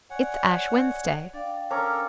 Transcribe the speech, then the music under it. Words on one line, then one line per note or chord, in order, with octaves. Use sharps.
It's Ash Wednesday.
C#5 D5 F#5 G#5
D4 D5 F5 G5
C#4 A4 A#4 D5 A#5